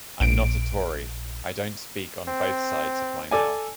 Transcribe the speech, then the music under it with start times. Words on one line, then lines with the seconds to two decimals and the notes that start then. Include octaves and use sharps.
I'm not a Tory, I don't speak on both sides of my mouth.
0.20 A#1 D7
2.27 C4
3.31 A4 D5 G#5